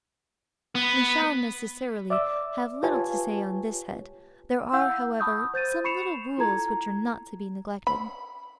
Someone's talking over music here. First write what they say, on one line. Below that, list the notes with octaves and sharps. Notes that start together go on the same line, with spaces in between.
We shall, necessarily, have little to say on this head; there are, however, some little rules which are not to be neglected.
B3
D5 E5 D6 E6
F4 G4 B4 C#5 G#5 A5
E4 F5 F#5 E6 G6
A5 B5 C#6 D#6 E6 G6
C5 G6 A6 D#7
B5 C#6 C7 C#7 E7 F7
E4 F4 A4 A5 A#5 G#6
B5